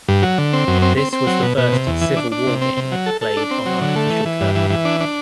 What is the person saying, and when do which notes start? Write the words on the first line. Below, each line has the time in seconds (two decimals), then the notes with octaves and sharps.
This was the first Civil War game played on artificial turf.
0.08 G2
0.23 F#3
0.38 D3
0.53 C4
0.67 F#2
0.82 C4
0.97 C4
1.13 C4
1.27 F#3
1.42 B2
1.57 B2
1.72 C3
1.87 E2
2.01 E3
2.16 D4
2.32 D4
2.47 C3
2.62 C4
2.77 C3
2.92 F#3
3.06 A4
3.21 A4
3.37 D4
3.51 C4
3.66 F#3
3.81 D3
3.96 A3
4.10 E3
4.25 E3
4.41 G2
4.55 E3
4.70 E3
4.85 D4
5.01 D4